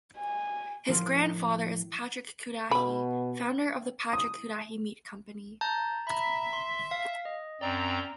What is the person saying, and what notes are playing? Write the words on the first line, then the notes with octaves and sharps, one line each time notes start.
His grandfather is Patrick Cudahy, founder of the Patrick Cudahy meat company.
G#5
A2 F3 A#4 C6
B2 B5
D#6
A5 A#5 G6
E5 A#5 B5
C6
F5
D#5
F#2 C4 D5 A#5